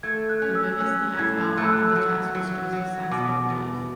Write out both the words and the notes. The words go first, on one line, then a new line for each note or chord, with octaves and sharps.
The biggest thing I felt after the test was just a sense of relief.
A3 G#6
F#6
C#4
E6
C#4 F#6
A2 G#6
A3 F#6
E6
F#6
F#3
F#3
F#3
B2 D6
E2